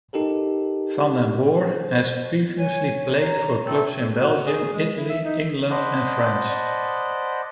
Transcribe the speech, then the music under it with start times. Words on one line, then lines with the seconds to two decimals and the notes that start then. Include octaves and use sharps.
Vanden Borre has previously played for clubs in Belgium, Italy, England and France.
0.13 D#4 G4 A4 A#4
1.58 C5
2.58 C#5 G#5
3.12 A#5
3.66 A3 C4 A4
4.20 F#4
4.47 G#4
4.73 G#3
4.97 E4
5.09 E5
5.25 D#4
5.71 C5 D5 D#5 F#5 A5 B5